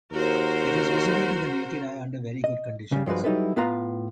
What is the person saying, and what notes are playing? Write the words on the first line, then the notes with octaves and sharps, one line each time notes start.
It is visible to the naked eye under very good conditions.
D#2 F#4 A#4 C5
D#5
C#3 G3
G2 F3 G#3 F#4 B4
F#3 G3 D#4 E4 A4 B4
A2 B3 F4 B4 F5 A#5